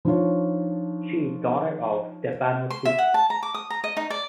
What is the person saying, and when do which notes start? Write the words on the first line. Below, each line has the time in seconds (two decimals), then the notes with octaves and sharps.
She is daughter of Stefano Pucci.
0.05 F3 D4 D#4 F4 C#5
2.70 C6
2.85 E5
2.98 F#5
3.14 A5
3.30 A#5
3.43 D6
3.54 D#6
3.70 A#5
3.84 D#5
3.97 D#4
4.10 D5